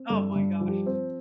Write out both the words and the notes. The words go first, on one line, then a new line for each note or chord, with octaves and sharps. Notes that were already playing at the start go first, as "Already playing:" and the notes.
Oh my gosh.
Already playing: C4
G2 A4
G4
G2
F3
G4
C4 C5